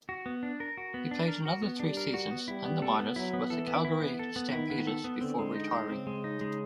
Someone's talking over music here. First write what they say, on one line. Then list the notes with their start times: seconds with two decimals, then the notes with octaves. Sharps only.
He played another three seasons in the minors with the Calgary Stampeders before retiring.
0.09 F#4
0.26 B3
0.43 D4
0.60 A#4
0.77 F#4
0.94 B3
1.11 D4
1.28 A#4
1.45 F#4
1.62 B3
1.80 G3 D4
1.97 A#4
2.14 F#4
2.31 B3
2.47 G3 E4
2.65 B3
2.82 A4
2.99 B3
3.16 F#3 E4
3.33 B3
3.50 E3 A4
3.67 B3
3.85 E4
4.02 B3
4.19 A4
4.36 B3
4.53 D#3 E4
4.70 B3
4.87 A4
5.04 B3
5.21 D3 C4
5.39 G#3
5.55 D#4
5.73 G#3
5.90 C#3 C4
6.07 G#3
6.24 D#4
6.41 G#3